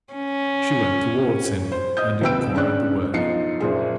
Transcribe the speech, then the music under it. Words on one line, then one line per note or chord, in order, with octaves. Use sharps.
She went towards him and inquired the way.
C#4
C5
D#5 D#6 G6
D#2 C3 B4 G5 E6 D7
C#3 C#4 D4 C#5 F#6
B1 F3 D#4 C7 C#7
F#1 A#2 G#4